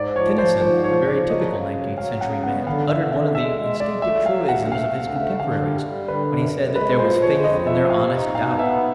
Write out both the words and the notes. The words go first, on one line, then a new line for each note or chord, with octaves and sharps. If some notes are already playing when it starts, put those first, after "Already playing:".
Tennyson, a very typical nineteenth century man, uttered one of the instinctive truisms of his contemporaries when he said that there was faith in their honest doubt.
Already playing: G#2 D5
F3 C#5
F3 C5
G#2 C5
F3 C#5
F3 D5
F#3 D#5
C#3
F#3
F#3 F5
C#3 F#5
B3 F#5
D3 F5
D3 E5
D3 E5
G#3 E5
G#3
G#3 D5
A3 E5
F#3 F5
D2 F#5
A3 F5
D2
A3 F5
D3 F5
G3
G3
D3 B4
F#2
F#2
G#3 B4
F3 C5
G#3 C#5
F2 D#5
F3 E5
C3 F5
D#4
B2 F5
B3 E5